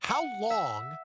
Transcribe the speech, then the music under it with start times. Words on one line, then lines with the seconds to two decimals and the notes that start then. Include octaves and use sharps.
How long
0.09 F#5
0.50 E5